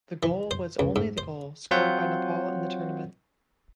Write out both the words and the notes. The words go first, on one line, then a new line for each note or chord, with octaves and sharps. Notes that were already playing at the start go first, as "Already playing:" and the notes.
The goal was only the goal scored by Nepal in the tournament.
E3
C5
C#2
G#2
C5
F#3 C4 F4 C#5 F#5 G6